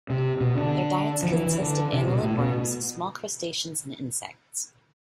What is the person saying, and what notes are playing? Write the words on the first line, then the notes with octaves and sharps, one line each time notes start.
Their diets consist of annelid worms, small crustaceans, and insects.
C3
B2
D3
F3
E3
E3
D3
C3
B2
A2
B2